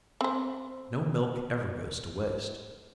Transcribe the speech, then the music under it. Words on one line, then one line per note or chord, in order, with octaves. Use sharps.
No milk ever goes to waste.
C4 C5